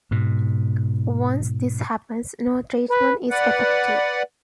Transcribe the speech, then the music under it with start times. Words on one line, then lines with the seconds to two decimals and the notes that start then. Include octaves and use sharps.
Once this happens, no treatment is effective.
0.11 G#2 B2
2.90 B4
3.30 B4 D5 F#5